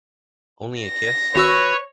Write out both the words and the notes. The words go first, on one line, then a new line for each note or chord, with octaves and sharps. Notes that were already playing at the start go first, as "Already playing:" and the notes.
Only a kiss?
A#6
G#1 F#4 B4 C#5 E6